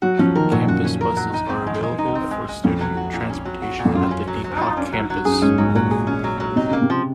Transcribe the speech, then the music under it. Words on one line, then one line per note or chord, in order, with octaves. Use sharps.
Campus buses are available for student transportation at the Depok campus.
F#3 F#4
F3 C#4
D#3 A#4
A#2 F#3
F#2 F#4
C#4
A#4
F#3
D#4
C4
G#3
G#3
D#4
C4
G#3
G#3
F2 C#4
F#3
F#4
A#2
C#4
F#3
F#4
A#2
F2
F#2 F4
C#4
F#3
F#3
F4
C#4
F#3
F#3
F#2 G#4
G#2 C#4
G#2 F#3
A#2 F#3
G#4
C#4
F#3
F#3
C3 D#4
C#3 A#3
C3
F3